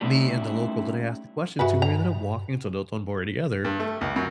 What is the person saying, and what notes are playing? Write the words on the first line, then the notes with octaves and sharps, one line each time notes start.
me and the local that I asked the question to, we ended up walking to Dotonbori together,
G3 A3 C4 C#4 D#4 E4
G2 F#4 G#4 B4 E5
A#5
G2
A3
C#2
F#2